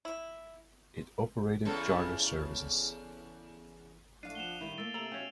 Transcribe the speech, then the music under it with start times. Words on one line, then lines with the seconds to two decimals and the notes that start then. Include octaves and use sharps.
It operated charter services.
0.05 E4
1.65 E2 C#3 A4
4.23 A2 A3 D4 F5 C7 D#7
4.35 F3 F#5 E7 F7 G7
4.60 A2 D#3 G3 E4
4.77 A3 A#3 E6 A6 D7
4.94 C3 A4 A#5 D7 F7 F#7
5.12 B2 C#4 G4 C#5 E5 F5